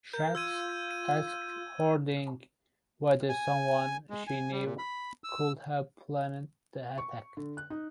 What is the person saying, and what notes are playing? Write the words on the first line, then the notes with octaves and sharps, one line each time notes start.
Schatz asked Harding whether someone she knew could have planned the attack.
A#4 G6
F4 E6 G#6 D#7
D#7
G#5
G#3
G#5
G3
A#2
B5
E6
C#6
D3
F#6
D#4